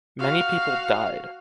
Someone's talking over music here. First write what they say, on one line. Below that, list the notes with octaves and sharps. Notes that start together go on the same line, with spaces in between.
Many people died.
F#4 F5